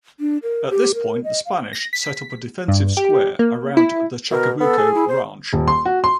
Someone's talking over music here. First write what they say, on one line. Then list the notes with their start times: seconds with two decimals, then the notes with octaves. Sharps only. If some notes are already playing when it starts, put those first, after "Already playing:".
At this point, the Spanish set up a defensive square around the Chacabuco Ranch.
0.20 D4
0.43 A#4
0.70 G4
0.95 A#4
1.24 D#5
1.46 F5
1.73 A#6
1.93 B6
2.68 G2
2.97 G4
3.39 A#3
3.77 E4
4.31 B2 A#4
4.60 B3 A4
4.78 G#4
4.95 E4
5.08 C5
5.53 D#1
5.68 C6
5.85 F#4
6.04 C6